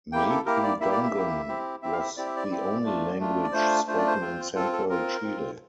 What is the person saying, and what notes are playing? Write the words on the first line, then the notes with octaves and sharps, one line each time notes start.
Mapudungun was the only language spoken in central Chile.
A#3 E4 G4 G5
A4
A#3 E4 G4 A#4
D5
A#3 E4 G4 E5
D5
E5
A#3 E4 G4
C4 E4 G4
C4 E4 G4 E5
F5
E5
C4 E4 G4 D5
E5
D5
C4 E4 G4
A3 D4 F4
A3 D4 F4
D5
A3 D4 F4 C5
A3 D4 F4 C5
D5
C5
C4 F4
C4 F4 A4
A4
C4 F4 A#4
C4 F4